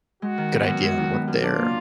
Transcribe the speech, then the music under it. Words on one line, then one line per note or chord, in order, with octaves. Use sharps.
good idea on what they're
G#3 F#4
D#3
B3
F#2
G#3
D#3
B3
F#2
D4 F4
A#3